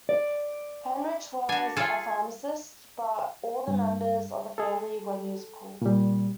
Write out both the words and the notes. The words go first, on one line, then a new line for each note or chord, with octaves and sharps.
Heinrich was a pharmacist, but all the members of the family were musical.
D5
D4 F#4 G#5
F4 G#4 A4 G#5
G2
G#4 A4
A#2 G3